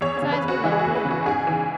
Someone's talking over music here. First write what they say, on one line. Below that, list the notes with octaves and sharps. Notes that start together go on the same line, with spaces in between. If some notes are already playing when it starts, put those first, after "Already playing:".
His eyes were lowered, at any rate.
E2 C#5
C#3 C#5
B4
E2
F#4
E3 E4
G#4
F#4
E2
B4
C#3
F#4
G#2 G#4
E3